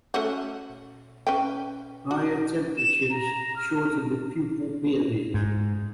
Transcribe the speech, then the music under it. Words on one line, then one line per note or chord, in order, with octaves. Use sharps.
Higher temperatures shorten the pupal period.
A3 C#4 F#4
C#4 B4 G5
F#4
E7
A#5
F6
G#2